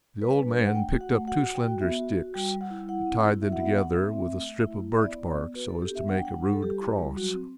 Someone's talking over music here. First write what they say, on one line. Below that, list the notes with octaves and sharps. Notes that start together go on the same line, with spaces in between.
The old man picked up two slender sticks and tied them together with a strip of birch-bark, so as to make a rude cross.
G3 B4
D4
D4
F#5
A3 G5
F#4
F#5
A3
F#4 F#5
F#4 F#5
G5
F#4
B3 E5
F#4
F#4
G3 G5
G3
F#5
E4
E4 F#5
C4
E4
F#4 E5
F#5
B3 E5
B3 F#5
C4 E5
C4
A3
A3
E4
E4
E5
B3 D5
B3
B3
F#4 B4
D4 A4
G4
B3 E5
D4 F#5
G5
G3 F#5
G3
A4
G3 G4
E4
G3
F#3 F#4
C4